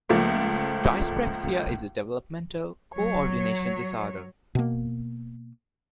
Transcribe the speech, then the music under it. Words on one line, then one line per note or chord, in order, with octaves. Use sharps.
Dyspraxia is a developmental co-ordination disorder.
C#2 F3 A3 A#3
F#3 C#5
B2 A#3